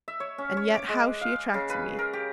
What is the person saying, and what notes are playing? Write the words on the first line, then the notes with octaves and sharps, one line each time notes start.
And yet how she attracted me!
E5
C#5
C#4
C#5
D6
G#3
F5
C#3
B4
A#4
G4